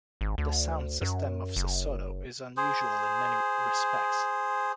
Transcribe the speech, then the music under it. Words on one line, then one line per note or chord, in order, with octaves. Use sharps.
The sound system of Sesotho is unusual in many respects.
G#1
D2
F#2
F#1
G#4 C5